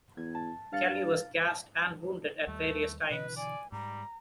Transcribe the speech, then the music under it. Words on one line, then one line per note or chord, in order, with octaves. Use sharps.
Kelly was gassed and wounded at various times.
E2 G#6
A5
G2 F5 A6 C#7
D#2 G3 A3
B2 D3 E3 B4 D#5
D5 G#5
G#2 G3 A#5